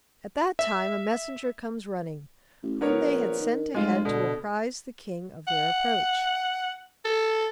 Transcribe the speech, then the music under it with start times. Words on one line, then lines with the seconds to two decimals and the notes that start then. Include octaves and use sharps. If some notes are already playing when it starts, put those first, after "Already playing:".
At that time a messenger comes running, whom they had sent ahead to apprise the King of their approach.
0.59 E5
2.63 A1
2.81 D1 B3 A#4 C#5
3.02 A#1
3.39 D#3
3.75 F1 G#3 F4
4.05 B2 D3
5.48 F#5
7.05 A4